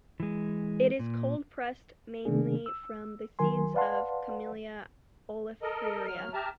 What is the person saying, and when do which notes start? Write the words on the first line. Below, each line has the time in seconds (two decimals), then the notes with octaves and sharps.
It is cold-pressed mainly from the seeds of "Camellia oleifera".
0.20 E3 G#3
0.99 A#2
2.25 C3 D#3 A3 B3 D4 G#4
2.66 E6
3.39 D#3 F#3 A#4 G#5 C6
3.74 B4 D5 F5 F#5 A5 C6
5.62 A4 A#4 D#5
6.07 F#3 F6
6.33 G4 E5 A5 A#5 F6